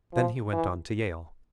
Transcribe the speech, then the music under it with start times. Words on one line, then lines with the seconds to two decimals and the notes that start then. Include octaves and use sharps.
Then he went on to Yale.
0.14 F3
0.53 E3